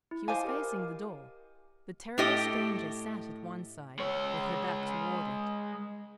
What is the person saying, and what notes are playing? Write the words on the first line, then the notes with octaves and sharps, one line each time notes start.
She was facing the door; the terrible stranger sat at one side, with her back toward it.
E4
C5 D#5 F5 G#5 D6
G4 A#4
A2 G4 D#5
G#3 C#5